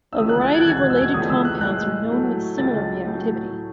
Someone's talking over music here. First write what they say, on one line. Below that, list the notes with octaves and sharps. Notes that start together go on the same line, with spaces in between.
A variety of related compounds are known with similar reactivity.
E6
C#2 C#3 E3 A3 D#6
F#6
A6
G#6
F#6
E2 B2 G#3 G#6
F#6
E6
G#6
C#2 C#3 E3 A3 D#6
E6
F#6
A2 G#3 F#6
A2 F#3 A3
C#2 C#3 G#3 A6
A2 F#3 A3